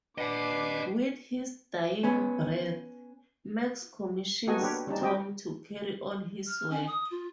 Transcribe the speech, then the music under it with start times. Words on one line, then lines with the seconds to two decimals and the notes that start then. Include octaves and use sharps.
With his dying breath, Max commissions Tom to carry on his work.
0.18 D4 B4 D#5 F#5 D6 C7
2.03 B3 C#4
4.47 A#3 B3 F#4 A4 D#5 G#5
4.61 D4 G4 A#4 B4 C#5
4.87 G3 C#4 D#4 A5
5.01 C4 F#4 G4 D#5 G5
6.47 F6
6.70 C#4
6.87 D#6
7.11 F4